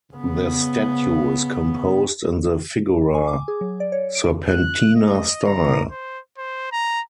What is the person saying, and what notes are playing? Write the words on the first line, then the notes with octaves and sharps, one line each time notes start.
The statue is composed in the figura serpentina style.
C#3 B3
G#5
D6
G#4
F#3
D5
C#5
D7
F#6
D#5
A#5
C5
C5
A#5